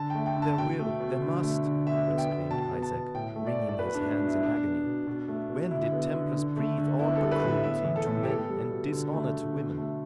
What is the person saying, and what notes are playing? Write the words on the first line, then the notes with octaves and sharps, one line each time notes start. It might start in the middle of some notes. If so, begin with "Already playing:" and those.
"There will, there must!" exclaimed Isaac, wringing his hands in agony; "when did Templars breathe aught but cruelty to men, and dishonour to women!"
Already playing: D3 A5
A3 G5
G5
D3
A5
B2 G5
A3
B2
D3
A3
D3
B2 E5
B3
G5
B2
B2 A5
B3
A5
B2
A2 G5
A3
D5
A2
D5
B2 B4
D4
A3
D4
B2
E4
B2 D4
B3
B2
B2
A3
B2
D3 E4
B3
D3
D3
A3
D3
B3 E4
A4
G3
B4
A2
E5
B3 E5
E3
A4
A2
G4
B3 A4
G3
B2
D3
A3
D3
B2
A3